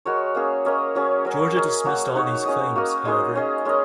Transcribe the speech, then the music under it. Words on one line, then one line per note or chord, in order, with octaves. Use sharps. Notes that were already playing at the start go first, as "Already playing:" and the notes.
Georgia dismissed all these claims, however.
G#3 F#4 A#4 C#5
A#3 C#4 G#4
A#3 C#4 A#4 D#5
F#3 C#4 G#4
F#3 C#4 A#4
C#4 G#4 D#5
F#3 A#3 F#4
D#4 F#4 C#5
C#4 G#4 D#5
A#3 F#4 A#4 D#5
G#3 D#4 G#4 D#5
C#4 G#4 D#5
G#3 C#4 A#4 D#5